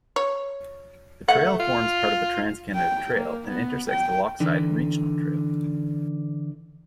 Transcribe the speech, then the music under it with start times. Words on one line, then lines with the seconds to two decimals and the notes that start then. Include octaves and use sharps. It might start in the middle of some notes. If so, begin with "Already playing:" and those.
The trail forms part of the Trans-Canada Trail, and intersects the Lochside Regional Trail.
0.16 C#5
1.28 A3 F#5
1.60 F4
2.75 G5
3.16 A#3
3.48 B3
3.91 G5
4.40 D3 E3